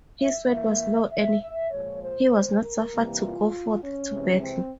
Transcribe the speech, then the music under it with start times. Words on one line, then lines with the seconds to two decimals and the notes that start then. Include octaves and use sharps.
His word was law and he was not suffered to go forth to battle.
0.21 E5
0.50 E3 A#3 E5
1.11 E5
1.41 E5
1.71 A#2 F3 G#3 C#5
2.01 C5
2.61 A#4
2.91 C3 E3 G3 A#3
3.22 F4
3.82 C#4
4.11 C3 E3 G#3
4.42 C4